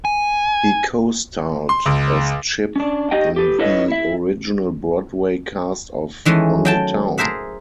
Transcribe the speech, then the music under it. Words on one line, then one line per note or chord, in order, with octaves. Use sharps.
He co-starred as Chip in the original Broadway cast of "On the Town".
G#5
C6
C#2
C#4 D4
D#4 G4 D#5 G5
G4 A4 B4
D#4 E4 A4 B4 C#5 D#5
E4 E5
D#3 E3 G#3 A3 C#4
F#3 G5 A5
G#4 A#4 C5 E5 F#5